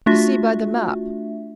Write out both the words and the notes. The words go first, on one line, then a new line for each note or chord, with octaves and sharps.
You see by the map.
A3 D4 F4 F#4 E5